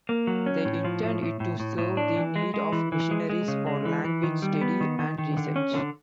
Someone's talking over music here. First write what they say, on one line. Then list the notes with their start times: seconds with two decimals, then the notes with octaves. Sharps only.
They intended it to serve the need of missionaries for language study and research.
0.09 A#3
0.27 F#3
0.46 C#4
0.65 A2
0.85 F3
1.03 A2
1.22 A2
1.40 A2
1.60 A2
1.78 A2
1.97 D4
2.17 E3
2.36 G#3
2.54 G#3
2.72 E3
2.92 E3
3.11 G#3
3.30 G#3
3.48 C#3
3.67 G#3
3.85 E3
4.05 E3
4.23 D#3
4.42 G3
4.61 B3
4.81 D#3
4.99 D#3
5.18 D#3
5.37 D3
5.56 C#4
5.75 D3